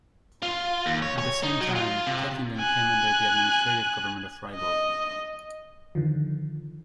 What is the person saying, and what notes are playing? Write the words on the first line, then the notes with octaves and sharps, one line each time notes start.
At the same time, Tuttlingen came under the administrative government of Freiburg.
F4
D#2
C#5
C#5
D#4
F#3
F4
C3
G#5 F#6
D#5
D3 D#3 F3